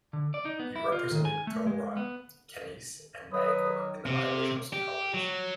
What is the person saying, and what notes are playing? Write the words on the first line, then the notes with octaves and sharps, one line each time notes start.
He represented Gowran, Canice and Bangor in the Irish House of Commons.
D3
D5
D#4
B3
E4
F4
D#3
G#5
A3
G#3
B3
D#3 F#3 B4 D#6
C3
G4
F#3